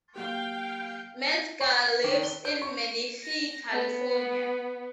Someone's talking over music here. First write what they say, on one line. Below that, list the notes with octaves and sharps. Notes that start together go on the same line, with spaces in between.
Metzger lives in Menifee, California.
F#3 A#3 G4 F5 G5
C#6
D#3
G7
G6
C#6
A#6
B3